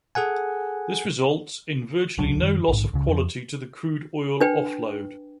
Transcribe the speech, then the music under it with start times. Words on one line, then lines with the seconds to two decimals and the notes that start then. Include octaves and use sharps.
This results in virtually no loss of quality to the crude oil offload.
0.15 G#4 A4 F#5 G#5
2.18 D1 C2 F#3 D4
2.42 F#2 D#3
2.68 A#1 G#2
2.93 C#2 C#3
3.08 F2 F3
4.40 D4 B4 G5